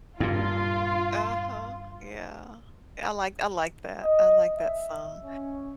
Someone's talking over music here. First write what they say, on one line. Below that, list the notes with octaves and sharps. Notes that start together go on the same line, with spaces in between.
Uh-huh. Yeah. Yeah, I like I like that. I like that song,
G2 A#2 F4
D#5
E5
C#4